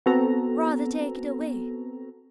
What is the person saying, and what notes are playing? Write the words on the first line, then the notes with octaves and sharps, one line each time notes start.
Rather take it away!
B3 C4 F#4 A4 A#5